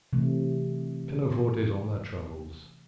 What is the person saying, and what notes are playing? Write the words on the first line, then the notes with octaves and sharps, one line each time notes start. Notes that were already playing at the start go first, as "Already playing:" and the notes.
Pianofortes on Their Travels.
C3 E3 A3